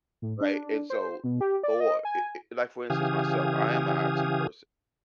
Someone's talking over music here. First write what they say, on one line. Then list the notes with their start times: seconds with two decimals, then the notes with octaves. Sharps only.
right, and so, w or i i like, for instance, myself, I am an IT person.
0.22 A2
0.41 D4
0.90 C5
1.24 B2
1.41 G4
1.63 D5
1.80 D#5
2.05 G#5
2.90 C#3 E3 G4 F5 G#5 D#6